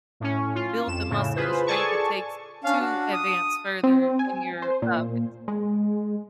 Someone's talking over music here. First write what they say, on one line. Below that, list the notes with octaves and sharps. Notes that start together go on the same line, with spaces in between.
build the muscle, the strength it takes to advance further in your, uh, dance pole
A2 C#4
F4
F2 E7
A2 C#3
F4 G#4 B4 C5
G#4 A4 D5 G#5 A5 C#6
C#4 D4 F5
F#4
D#6
C4
G#5
C5
A#2
G#3